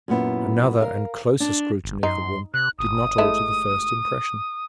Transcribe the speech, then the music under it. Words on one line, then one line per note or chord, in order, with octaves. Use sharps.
Another and closer scrutiny of the room did not alter the first impression.
F#2 A#2 B3 E4
A#4 F5
D4
G1
F#2 D#4 C6
C3 F#6
G1 D#6
G#3 A3 E4